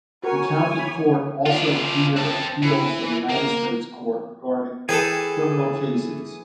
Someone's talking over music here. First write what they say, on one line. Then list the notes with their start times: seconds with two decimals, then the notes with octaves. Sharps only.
The County Court also hear appeals from the Magistrates' Court regarding criminal cases.
0.24 F#4 A#4 C#5 G#5
0.79 B5
1.46 D4 F4
2.16 C4 A5
2.62 E3
3.30 A#3
4.89 E3 G#4 A4 B4 G5 G#5